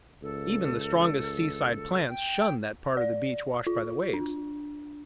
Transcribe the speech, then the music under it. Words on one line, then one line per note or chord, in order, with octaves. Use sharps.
Even the strongest seaside plants shun that part of the beach washed by the waves.
C#2 A4
G5
D5
F4
D4